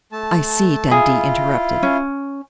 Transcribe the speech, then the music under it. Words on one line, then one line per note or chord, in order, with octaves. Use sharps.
"I see," Dundee interrupted.
A3 A5
E4 F4 G#4
C#4